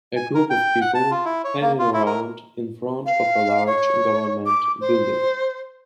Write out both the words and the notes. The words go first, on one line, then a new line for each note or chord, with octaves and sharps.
A group of people hanging around in front of a large government building.
G#5
A#4
G5
F#5
A5
F4
E4
C#5
A#3
F4
E4
A#4
F5
C#5
D6
C5